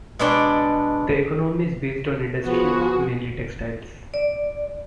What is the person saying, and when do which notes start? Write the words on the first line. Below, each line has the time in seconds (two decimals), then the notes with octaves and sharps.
The economy is based on industry, mainly textiles.
0.19 B2 G#3 B3 D4 D5 G5
2.44 F3 B3 F#4 G#4
4.14 D5